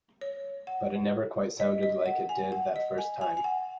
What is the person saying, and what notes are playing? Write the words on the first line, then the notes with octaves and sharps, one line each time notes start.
But it never quite sounded like it did that first time.
C#5
F#5
D#5
D#5
F#5
G#5
F#5
D#5
G#5
G#5
G#5
F#5